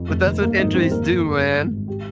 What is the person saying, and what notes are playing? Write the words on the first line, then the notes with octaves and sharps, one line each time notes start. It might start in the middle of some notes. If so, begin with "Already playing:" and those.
But that's what injuries do, man.
Already playing: F2
F1
F1
G2 A#3 A#4
G#1 D#4 D#5
G3 C4 C5
F2 A#3 A#4
G1
G#3
G2
G#1
G#1
G4